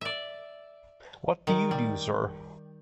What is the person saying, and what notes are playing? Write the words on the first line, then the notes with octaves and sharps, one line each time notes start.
What do you do, sir?
D5 E5
D#3
G3